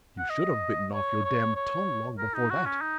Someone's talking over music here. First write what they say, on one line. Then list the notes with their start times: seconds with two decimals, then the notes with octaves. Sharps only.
You should've bitten off your damned tongue long before that.
0.18 F#5
0.30 D#5
0.92 C#5
1.25 C#5
1.56 C#5
2.18 A#4
2.34 D#4
2.50 F#4
2.66 C#4
2.82 D#4